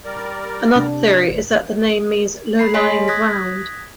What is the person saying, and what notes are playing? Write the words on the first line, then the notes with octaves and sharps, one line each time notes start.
Another theory is that the name means "low-lying ground".
G3 A#4 D5
C3 D4
A3 B5 C7
G#4 C#5 D#5 G#5 C6 B6
D#6 F#6 G#6 A#6 B6